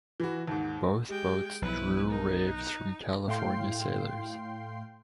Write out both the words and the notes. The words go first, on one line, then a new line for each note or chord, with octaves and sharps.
Both boats drew raves from California sailors.
E3 F#4
D#2 G#2
G#3 G4 G5
B1 F3 E4 B4
D#4 A#4
F#6
A2 F5 G5 C6 C7